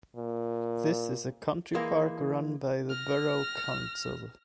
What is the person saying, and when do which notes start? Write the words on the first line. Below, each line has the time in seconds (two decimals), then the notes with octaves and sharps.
This is a country park run by the borough council.
0.16 A#2
1.75 E3 G#3 A#3 E4
2.90 F6 A#6